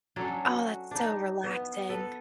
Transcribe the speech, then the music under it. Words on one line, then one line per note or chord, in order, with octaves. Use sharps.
Oh, that's so relaxing.
F#3 C#4 D4 A4
F#4
D4 D#4
B3
A4 B4